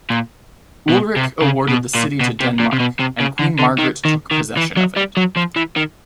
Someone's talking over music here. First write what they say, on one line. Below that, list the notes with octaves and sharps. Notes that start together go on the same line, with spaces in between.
Ulrich awarded the city to Denmark, and Queen Margaret took possession of it.
A#2
B2
C3
C#3
B2
A#2
B2
C3
A#2
C3
B2
C3
C#3
D3
D3
D#3
D#3
D#3
E3
F#3
G3
F#3
F3
E3
D#3